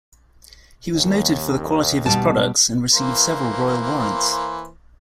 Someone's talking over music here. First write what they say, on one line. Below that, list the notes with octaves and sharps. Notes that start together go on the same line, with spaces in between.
He was noted for the quality of his products and received several royal warrants.
D#2
B2 G3 A5
E3 A#3 C5